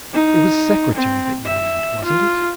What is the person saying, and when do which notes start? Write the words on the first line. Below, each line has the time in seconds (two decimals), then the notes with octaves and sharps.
'It was Secretary that you named; wasn't it?'
0.13 D#4
0.95 C4
1.46 E5
2.05 F4